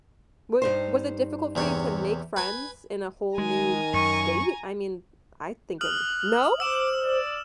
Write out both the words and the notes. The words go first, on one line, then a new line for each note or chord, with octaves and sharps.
Wa was it difficult for you to make friends in a whole new state? I mean, I think it would no?!
G2 D#4 C5
E2 C3 C#5
B4 G#5
D#3 G#3 G#5 A#5
F#2 C#6
D#6 F6 F#6 F#7
C5 D6 E6 E7
D5